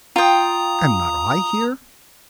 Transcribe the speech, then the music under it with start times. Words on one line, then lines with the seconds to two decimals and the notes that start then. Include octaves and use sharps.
"Am not I here?"
0.16 F4 G5 A#5 D#6